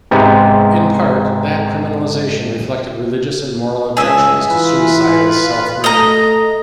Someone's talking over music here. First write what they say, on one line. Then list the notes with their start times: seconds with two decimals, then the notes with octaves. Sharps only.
In part, that criminalization reflected religious and moral objections to suicide as self-murder.
0.11 G#2 C3 B3 G4
3.97 C#2 G#4 E5
4.51 E3 F4 B4
5.84 A3 D#5 A#5